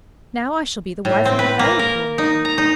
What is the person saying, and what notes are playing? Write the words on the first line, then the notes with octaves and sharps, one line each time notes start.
Now I shall be the wife of a very poor man.
A2
C4
B4
A#3
A#4
D#4
A#5
D#4